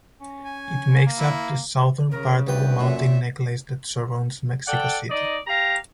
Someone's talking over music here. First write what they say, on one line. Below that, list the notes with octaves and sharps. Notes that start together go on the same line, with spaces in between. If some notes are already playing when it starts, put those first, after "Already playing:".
It makes up the southern part of the mountain necklace that surrounds Mexico City.
C#4
G#5
A#3
E4
C#3 A#4
D2 G2 B4 G5
F#2 A#2 C#5 E5
A4 D5 F#5 G5
D#4 D5 D#5
G4 F5 A#5